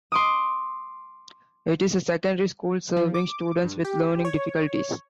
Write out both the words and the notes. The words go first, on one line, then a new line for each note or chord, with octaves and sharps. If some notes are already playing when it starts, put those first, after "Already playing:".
It is a secondary school serving students with learning difficulties.
C6 D6 D#6
F3
D6
G2
G4
C#5